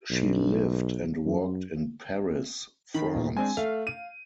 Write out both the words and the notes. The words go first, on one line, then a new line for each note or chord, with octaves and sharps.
She lived and worked in Paris, France.
B1
F#2
D#3 B5
D#2 A#2
G#3 C4 D4 G#5
A3 F5
D#7